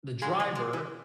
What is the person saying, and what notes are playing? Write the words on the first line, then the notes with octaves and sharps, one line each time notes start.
the driver,
C#3 F#3 G#3 G#4
G#3 G#4
G#3 G#4
E3 E4